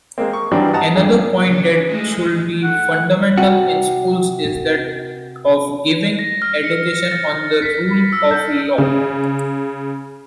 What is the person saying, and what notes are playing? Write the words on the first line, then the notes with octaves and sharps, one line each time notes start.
Another point that should be fundamental in schools is that of giving education on the rule of law.
G#3 A#3 C4
C#6
G2 E3 F#3 G3 C4 D4
D#5 F#5 A5 A#5 D#6
F2 D4 G#4
C#3 D4
G#3 A3
A3 F#5
C3 F#4
A#6
F6
C#7
A6
B6
E6
G6
C#3